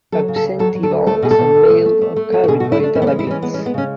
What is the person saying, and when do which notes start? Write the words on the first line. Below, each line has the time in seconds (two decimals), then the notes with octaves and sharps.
Absentee ballots are mailed or carried by delegates.
0.12 F#3 A4
0.28 C#3
0.36 A4
0.44 D2
0.59 F#3 A4
0.75 F#3
0.83 A4
0.91 D2
1.07 A3 A4
1.22 B2 G#4
1.31 A4
1.39 B2
1.54 B2
1.70 A3
1.85 A3
2.01 A3
2.16 A3
2.32 A3
2.44 F#4
2.48 B2 G#4
2.60 F#4
2.64 A3
2.72 E4
2.79 A3 D4
2.95 E3 C#4
3.02 B3
3.07 C#4
3.11 G#3
3.19 E4
3.27 E3 C#4
3.42 G#3 B3
3.54 C#4
3.58 G#3
3.66 B3
3.74 C#3 C#4